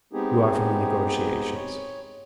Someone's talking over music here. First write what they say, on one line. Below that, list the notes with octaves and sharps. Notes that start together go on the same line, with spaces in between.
You offer me negotiations!
G#3 B3 C4 D#4 G4 G#4
C#5